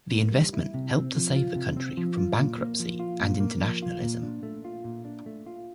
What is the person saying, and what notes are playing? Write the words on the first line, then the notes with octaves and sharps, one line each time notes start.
The investment helped to save the country from bankruptcy and internationalism.
A#3
G3
E4
C3
C4
F3
F4
C3
C4
F3
F4
A#2
A#3
F3
F4
A#2
A#3
F3
F4
A#2
D4
A3
F4
A#2
D4
A3
F4